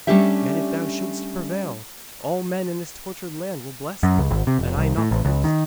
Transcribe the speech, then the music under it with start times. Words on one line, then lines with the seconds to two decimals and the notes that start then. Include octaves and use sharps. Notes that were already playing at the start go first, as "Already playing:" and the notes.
Yet if thou shouldst prevail, all men in this tortured land will bless thee, and I not the least.
0.07 G3 A3 C#4 D4 G4 E5
4.03 F#2
4.18 C#2
4.31 G#1
4.47 C3
4.59 F1
4.78 C2
4.98 A2
5.11 A1
5.25 C#2
5.44 D#3